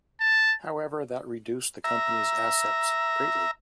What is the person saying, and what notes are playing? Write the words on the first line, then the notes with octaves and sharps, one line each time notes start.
However, that reduced the company's assets greatly.
A5
E5 A#5